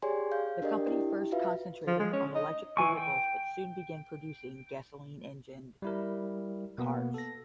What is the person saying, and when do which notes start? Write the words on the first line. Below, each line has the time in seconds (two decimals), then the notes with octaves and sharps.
The company first concentrated on electric vehicles but soon began producing gasoline-engined cars.
0.02 G4 G#4 C#5 D5 G#5 C6
0.32 F5 G6
0.62 D4 G4 A#4 D5 D#5
0.87 E4 G4
1.32 F4 F#4 B4 E5 F5
1.87 F3
1.99 G#3
2.12 C#4
2.35 D#5
2.77 E3 G#5 C#6
2.97 G5
5.82 G3 E4 A#4
6.78 B2 A#3 B3
7.14 A4 A#6